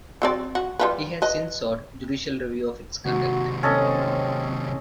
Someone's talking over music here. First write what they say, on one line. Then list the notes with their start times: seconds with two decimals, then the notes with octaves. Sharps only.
He has since sought judicial review of its conduct.
0.22 F#3 C4 D5
0.55 F#4
0.79 G3 F4 B4
1.22 B4 D#5
3.05 D#2 C3 F#4
3.63 C4 C#4 A4 D#5